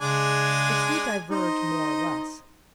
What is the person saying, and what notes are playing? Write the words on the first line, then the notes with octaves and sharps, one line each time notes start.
The two diverge more or less.
C#3 G#3 D4 G#5
D#4 C5 D#5